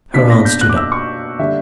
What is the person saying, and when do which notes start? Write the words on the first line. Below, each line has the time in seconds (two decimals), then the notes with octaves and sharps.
Her aunt stood up.
0.14 B2 A#3 D4 B6
0.30 A#6
0.45 G6
0.61 F#6
0.69 D6
0.77 E6
0.92 C#6
1.39 D3 G3 A#3 D4 E5